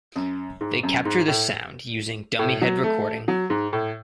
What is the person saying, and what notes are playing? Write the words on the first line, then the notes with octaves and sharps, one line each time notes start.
They capture this sound using dummy head recording.
F#2
G#2
F#2
G#2
A2
A2
F#3
A3
F#3
G#2
A2